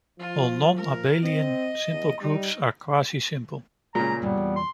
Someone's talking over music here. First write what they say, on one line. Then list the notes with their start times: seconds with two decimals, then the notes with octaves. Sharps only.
All non-abelian simple groups are quasisimple.
0.19 F3 F4
0.77 A#4
1.23 C4 D#5
1.92 E2
2.21 G3 D#4
3.95 A#2 C#3 G#3 A#5
4.22 D#1 G2 B2 G3 B3
4.37 E2
4.56 C6